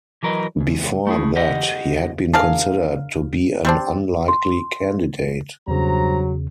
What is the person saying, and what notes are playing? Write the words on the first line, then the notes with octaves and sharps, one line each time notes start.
Before that, he had been considered to be an unlikely candidate.
E3 F#3 A#4 B4 D#5
C#2
A3 E4 G#4
G4 D#5 F#5
D4 G#4 A#4 F5
G3 C4 D4
C6
E2 G2 C#3 F#3 C5 A#5